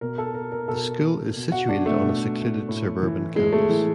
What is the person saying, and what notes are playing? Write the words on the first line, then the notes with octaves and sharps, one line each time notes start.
The school is situated on a secluded suburban campus.
B2 A#4
A4
A#4
A#4
B2 A4
B2
F#4
D4
A3
B2
A2
E3
A2 G#3
A3
E3